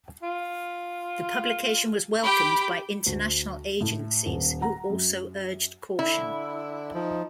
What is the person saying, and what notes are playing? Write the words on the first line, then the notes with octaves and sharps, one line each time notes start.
The publication was welcomed by international agencies, who also urged caution.
F4
G4 G5 B5
D2
A2
D#1
F#5 A#5
F#2
D3 E4
F3 D#4